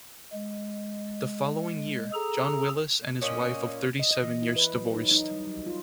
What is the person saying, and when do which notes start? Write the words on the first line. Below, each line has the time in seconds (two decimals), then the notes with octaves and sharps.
The following year, John Willys and his wife of thirty-seven years divorced.
0.32 G#3
2.13 G#4 A4 A#5
3.22 A#2 C#4 D#5
3.99 D#5
4.11 D#5
4.23 E3
4.42 E4
4.56 B4
4.73 F#3
4.94 D#4
5.11 D#4
5.31 G3
5.47 F#3
5.67 F4